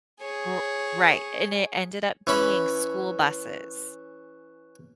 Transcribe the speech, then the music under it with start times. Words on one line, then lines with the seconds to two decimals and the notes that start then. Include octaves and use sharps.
R right. And it ended up being school buses
0.21 G#4 C#5
2.27 E3 C#4 B5